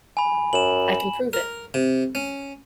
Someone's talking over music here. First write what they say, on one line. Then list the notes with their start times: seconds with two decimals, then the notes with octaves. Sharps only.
I can prove it.
0.17 G#5 B5
0.53 F#2 E7 F#7
1.33 A#4
1.74 C3
2.15 C#4